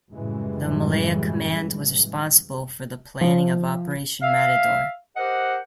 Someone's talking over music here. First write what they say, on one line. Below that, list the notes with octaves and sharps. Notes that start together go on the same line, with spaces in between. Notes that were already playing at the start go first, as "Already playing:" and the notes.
The Malaya Command was responsible for the planning of Operation Matador.
F#2 A2 C#3 E3 G3 G#3
F3
E5 F5
G4 A#4 C5 D#5 F#5